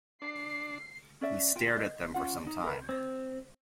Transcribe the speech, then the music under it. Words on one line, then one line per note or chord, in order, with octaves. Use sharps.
He stared at them for some time.
D4 C7
C#4 D5 E5
F4 G5
D#5
C#4 F4 F#5
D#4
A#4 B4
C4